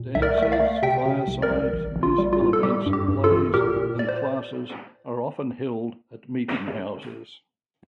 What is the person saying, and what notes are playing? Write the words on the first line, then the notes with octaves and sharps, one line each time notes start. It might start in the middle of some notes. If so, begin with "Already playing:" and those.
Dances, firesides, musical events, plays, and classes are often held at meetinghouses.
Already playing: A#2
C2 E5
A#4 D5
A3 E5
D5 F5
A3
C3 E5 G5
C3
C2
A#4 D5
C2
A1
A1
F4
G3
F4
A2
A4
G3 G4
G2
G4
G2
F4 A4
A1
A#2 G4 A#4
A#2
D5
C5